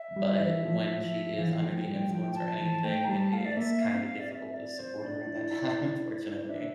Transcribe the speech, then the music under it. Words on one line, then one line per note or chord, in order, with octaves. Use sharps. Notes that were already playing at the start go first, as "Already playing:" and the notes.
but when she is under the influence or anything, i it's kinda difficult to support her at that time, unfortunately.
Already playing: E5
G3
E3
F3
F3
E3 F5
F3 G5
G3 G5
F3 G5
F3 A5
E3 A5
A3 G5
A#5
G3 A5
A3 F5
D5
A#3 E5
F5
C4
F5
D5
E5
D5
C5
D4 D5
E4
E4
D4 E5